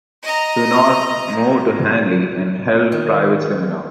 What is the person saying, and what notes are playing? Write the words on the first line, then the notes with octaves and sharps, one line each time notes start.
Hunold moved to Halle and held private seminars.
D#5 A#5
D#3